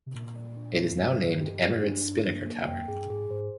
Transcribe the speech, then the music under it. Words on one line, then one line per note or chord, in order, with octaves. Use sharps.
It is now named "Emirates Spinnaker Tower".
C3
A#2 A#3
D5
D4
A#3
F2
G2 C5
D#5
G4
G4
D4
D4
A#3
A#3
F2 G5
G2 G#4
G#2 G#4
G#2 C5